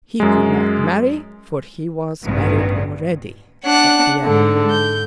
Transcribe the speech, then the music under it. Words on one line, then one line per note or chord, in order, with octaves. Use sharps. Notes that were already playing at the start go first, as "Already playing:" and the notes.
"He could not marry, for he was married already," said Pierre.
F#2 G#3
A1 D2 G2 B2 D#3
D4 F#5 F#6
G#2 D3
G6